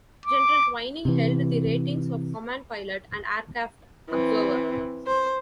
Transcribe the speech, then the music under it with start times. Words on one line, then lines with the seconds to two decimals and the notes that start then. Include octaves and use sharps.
General Twining held the ratings of Command Pilot and Aircraft Observer.
0.26 D6
1.05 C3 E3
4.10 E3 C4
5.07 C5